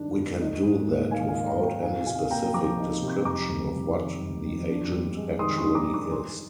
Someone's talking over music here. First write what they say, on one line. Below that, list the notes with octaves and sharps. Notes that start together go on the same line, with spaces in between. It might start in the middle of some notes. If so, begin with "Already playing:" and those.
We can do that without any specific description of what the agent actually is.
Already playing: G2 D#3 G#3 D4
G2
D#4
G#2
A#3
D#3 F5 G#5
F5 G#5
D#4
G5 A#5
G#2
G5 A#5
D#4 F5 G#5
C3 F5 G#5
A#3 G5 A#5
F3 A#5 D6
D#4
C3
F2 A#5 D6
F2
G3
D#3
F2
F2
D4
G2
G#3
D#3 C6 D#6
C6 D#6
D4
A#5 D6
G2
A#5 D6
D#4 G#5 C6